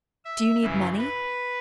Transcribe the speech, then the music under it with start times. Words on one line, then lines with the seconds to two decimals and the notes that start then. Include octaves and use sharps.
"Do you need money?"
0.25 E5
0.61 F#2 C#3 E3
0.98 B4